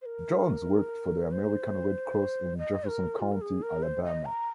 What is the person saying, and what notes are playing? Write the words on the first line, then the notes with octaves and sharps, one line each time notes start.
Jones worked for the American Red Cross in Jefferson County, Alabama.
C5
A#4
C5
D#5
A#4
F4
A#4
G#4
A#4
C5
D#5
A#5